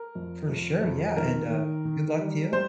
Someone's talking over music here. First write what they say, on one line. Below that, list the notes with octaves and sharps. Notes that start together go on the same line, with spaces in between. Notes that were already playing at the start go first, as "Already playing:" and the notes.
For sure, yeah and, uh, good luck to you.
Already playing: A#4
F2
F2
F2
D#3 A#4
D#3
D#3
G3
G3 C5